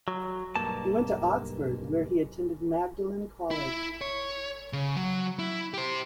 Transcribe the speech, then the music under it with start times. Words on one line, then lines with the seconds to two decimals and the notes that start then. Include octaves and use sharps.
He went to Oxford where he attended Magdalen College.
0.08 F#3
0.56 B1 G2 A#3 A5
3.51 E4
4.01 C#5
4.73 C#3
4.96 F#3
5.39 E4
5.74 G4 C5